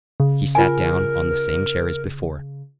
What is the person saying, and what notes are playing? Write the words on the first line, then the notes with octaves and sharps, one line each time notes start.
He sat down on the same chair as before.
C#3
F4 A#4 G#5